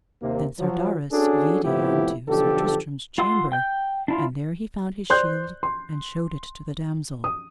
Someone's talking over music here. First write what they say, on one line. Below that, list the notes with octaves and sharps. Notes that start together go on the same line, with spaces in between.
Then Sir Darras yede unto Sir Tristram's chamber, and there he found his shield and showed it to the damosel.
D#2 C3 A#3
F3 F#3
C#4 D4 F#4 G#4 A4
A2 C3 F3 B3 E4 G4
B1 D3 F3 G4 A4
F4 F#5 C6 E6
G5 G6
D4 E4 F4
C5 D5 C6 F#6 G6
C6
D#6